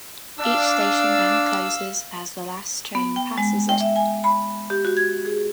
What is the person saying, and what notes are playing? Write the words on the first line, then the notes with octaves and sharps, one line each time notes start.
Each station then closes as the last train passes it.
D4 F5 E6
B3
G5
G#3
G5
E5
G#5
B5
G4
F#4
G#6
G#4